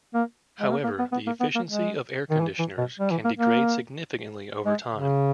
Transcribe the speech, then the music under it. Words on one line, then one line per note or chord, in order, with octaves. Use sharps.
However, the efficiency of air conditioners can degrade significantly over time.
A#3
G#3
A#3
A#3
B3
B3
A#3
B3
A#3
G#3
D#3
E3
E3
B2
G3
E3
A#3
A#3
G#3
C#3